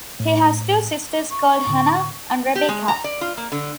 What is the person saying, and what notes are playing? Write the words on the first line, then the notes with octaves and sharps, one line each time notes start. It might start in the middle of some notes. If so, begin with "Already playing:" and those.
He has two sisters called Hannah and Rebecca.
A2
C#6
A2 D3
G4
G#3
A#5
D5
F4
A#3
D3